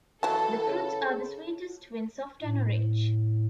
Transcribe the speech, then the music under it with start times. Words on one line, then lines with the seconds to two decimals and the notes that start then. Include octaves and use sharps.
The fruits are the sweetest when soft and orange.
0.23 E3 F#3 A4 A5
0.67 C#3
2.42 A2